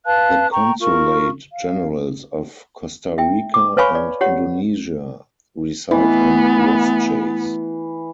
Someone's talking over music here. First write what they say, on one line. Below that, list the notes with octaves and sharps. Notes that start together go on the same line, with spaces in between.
The consulate generals of Costa Rica and Indonesia reside in Westchase.
B4 F5 A5 F#6
G5 A#5 C#6
F4 A#4 C#6
F5
E5 G5
D6
B4 C#5 F5 G#5 B5 C#6
D5
G4 C#5 F#5
E3 A3 B3